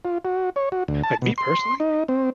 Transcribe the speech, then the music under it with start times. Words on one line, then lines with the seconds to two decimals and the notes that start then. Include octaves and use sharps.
like me personally,
0.05 F4
0.25 F#4
0.56 C#5
0.72 F#4
0.88 D2
1.03 A5
1.22 B2
1.38 C6
1.80 D#4
2.08 C4